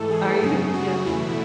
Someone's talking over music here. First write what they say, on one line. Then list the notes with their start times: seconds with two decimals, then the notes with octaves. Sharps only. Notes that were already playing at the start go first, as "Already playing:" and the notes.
Are you? Yeah.
Already playing: G#2 E3 A3 A4
0.11 G#4
0.43 F#2 C#3 F#3 G#4
0.74 F#4
1.06 E2 B2 A3 E4